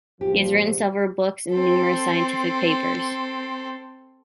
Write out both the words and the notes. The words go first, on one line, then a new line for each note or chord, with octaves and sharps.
He has written several books and numerous scientific papers.
G#1 A#2 F3 G4
C4 A4